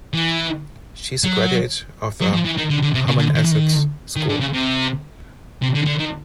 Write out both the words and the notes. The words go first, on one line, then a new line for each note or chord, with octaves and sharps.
She is a graduate of the Hammonasset School.
E3
F#3
F#3
F3
E3
D#3
D3
D3
C3
C#3
D3
D#3
E3
D#3
D#3
D3
C#3
C3
C3
D3
D3
D#3